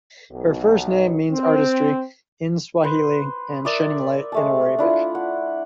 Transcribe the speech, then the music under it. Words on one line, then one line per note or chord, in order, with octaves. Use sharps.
Her first name means "artistry" in Swahili and "shining light" in Arabic.
B1
C4
B4 C5
A#4 D5 E5 D#6
G#3 A3 A5
D4 E4 F4
F#5